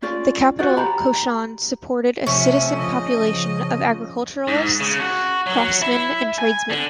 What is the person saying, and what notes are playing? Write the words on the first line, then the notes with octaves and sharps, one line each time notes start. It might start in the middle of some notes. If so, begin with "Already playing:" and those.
The capital, Qashan supported a citizen population of agriculturists, craftsmen and tradesmen.
C#4 F4 D5
F4 F#4 C5 D5
G4 A#5 B5
C3 F3 A3 C#4 E5
C#3 F3 D#5
G#2
C#3
F#4
F#3
E4
G#5
D3